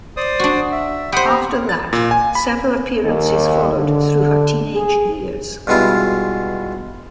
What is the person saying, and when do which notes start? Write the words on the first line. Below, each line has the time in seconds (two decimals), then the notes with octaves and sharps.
After that, several appearances followed through her teenage years.
0.17 C5 D5 D#6
0.40 D4 F#4
0.72 E5
1.12 G4 C5 F#5 B5 D#6
1.27 C4 A#5
1.69 A6
1.93 A#2
2.11 G#5
2.35 B5
3.04 D#2
3.78 D3
4.75 G#4
5.67 G2 B2 G#3 E4 F4